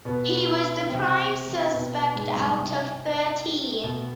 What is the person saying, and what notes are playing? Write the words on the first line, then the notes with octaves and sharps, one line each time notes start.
He was the prime suspect out of thirteen.
B2 B3
C3 C4
B2 B3
G#2 G#3
G2 G3
C3
B2